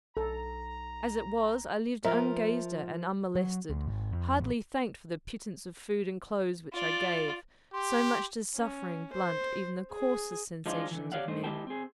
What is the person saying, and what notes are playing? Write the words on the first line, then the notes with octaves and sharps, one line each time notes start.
As it was, I lived ungazed at and unmolested, hardly thanked for the pittance of food and clothes which I gave, so much does suffering blunt even the coarsest sensations of men.
B1 A4 A#5
F3 A#4 E5
F#3
D2
G#1
F2
A1
F4 D5
G4 C6
C#4
C5
G#4
F3 G#3 D4 D#4 F4
D3 E3
G4 C#5 D5 F5 F#5
G2 A3 D#4 C5
G#3 E4 G4 G5 A5
C4 G#4